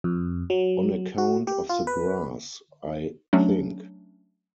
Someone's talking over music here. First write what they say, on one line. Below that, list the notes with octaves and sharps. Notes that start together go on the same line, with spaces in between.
On account of the grass, I think.
F2
F#3
F#4
G4
F4
B4
F#3 A3 C#4 D4